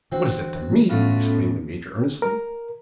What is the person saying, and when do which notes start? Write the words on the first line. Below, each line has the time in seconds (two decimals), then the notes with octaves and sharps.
"What is that to me!" exclaimed the Major, earnestly.
0.12 D3 E3 C4 F#4
0.90 A2 B3 C#4 F4 F#4 A4
2.22 A#4